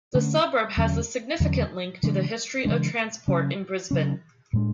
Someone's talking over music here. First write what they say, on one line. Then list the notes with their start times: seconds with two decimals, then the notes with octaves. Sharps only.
The suburb has a significant link to the history of transport in Brisbane.
0.15 D3 A3 C#4
0.77 E2 D3 F#3 C#4
1.40 E2 D3 F#3 C#4
2.03 C#3 E3 G#3 D4
2.65 C#3 E3 G#3 D4
3.28 C#3 F#3 C#4
3.91 C#3 F#3 C#4
4.53 A2 G#3 D4